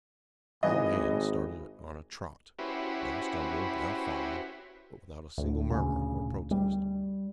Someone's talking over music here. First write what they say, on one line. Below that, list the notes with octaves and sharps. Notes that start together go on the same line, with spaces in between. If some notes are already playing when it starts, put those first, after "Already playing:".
All hands started on a trot, now stumbling, now falling, but without a single murmur, or protest.
G#1 E3 D#5
C#4 E4 F#4 G4 B4 C5
D2
A#2 C#3
G3